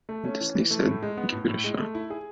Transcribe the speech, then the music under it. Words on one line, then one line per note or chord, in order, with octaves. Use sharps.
Disney said, 'Give it a shot.
A3
C#4
E3
E3
A3
A2
G#3
B3
A2
A2
G#3
A3
E4
G#4